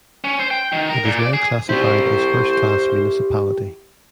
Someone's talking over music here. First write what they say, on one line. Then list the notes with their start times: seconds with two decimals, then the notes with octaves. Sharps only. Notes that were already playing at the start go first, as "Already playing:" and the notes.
It is now classified as first class municipality.
0.24 C#4
0.39 C5
0.51 G5
0.72 D#3
0.89 A#4
1.05 A#2
1.19 D5
1.33 G#4
1.69 E4 G4 C5